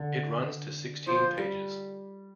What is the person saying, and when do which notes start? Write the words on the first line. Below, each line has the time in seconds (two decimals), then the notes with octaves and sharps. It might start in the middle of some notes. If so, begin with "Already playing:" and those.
It runs to sixteen pages.
Already playing: D3
1.07 F3 C5
1.38 G3